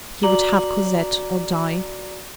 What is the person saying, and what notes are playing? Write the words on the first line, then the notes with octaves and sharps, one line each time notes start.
He would have Cosette or die.
F#4 D5 A#5 D6 F#7 G7